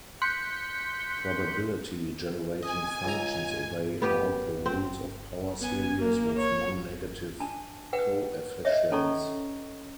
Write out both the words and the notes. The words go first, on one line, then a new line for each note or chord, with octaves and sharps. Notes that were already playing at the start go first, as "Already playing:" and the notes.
Probability generating functions obey all the rules of power series with non-negative coefficients.
C6 F#6 G6 B6 C#7
D#5 G#5
C#2 A#5
B3 G4 B4
C4
B3 G#5
A#3
C#5
D4 A5
B4 F#5 G5
C#5 D#5 E5
C#4 D#4 A4 D5 A#5 C#6